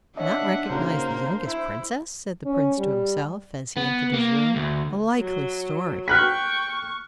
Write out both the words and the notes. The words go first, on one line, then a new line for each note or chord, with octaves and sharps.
Not recognise the youngest princess!' said the Prince to himself, as he entered his room, 'a likely story!'
D4 C#5 D#5 E5 F#5
C#3 A#3 D#4 F#4 C5
D4
E4
C#4
G3
B3
A#3
D2
F#3
G5 C#6 F6 F#6 B6